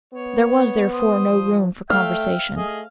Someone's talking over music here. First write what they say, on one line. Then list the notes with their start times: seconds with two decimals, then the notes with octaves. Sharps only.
There was therefore no room for conversation.
0.13 B3 C#5
0.92 C5 D#6
1.29 F3
1.90 A3 E5 F5 G5
2.55 A3 G#4 D#5